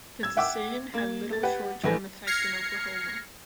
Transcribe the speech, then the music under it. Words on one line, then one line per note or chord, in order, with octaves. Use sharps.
The decision had little short-term effect in Oklahoma.
E6 G#6
E5 F#5 G5 D6 E6
A#3 G#6
A3 A6
G4 B4 F#5
A#1 E3 A3 B4 G#5 A#6
F6 G#6 A#6 C7 C#7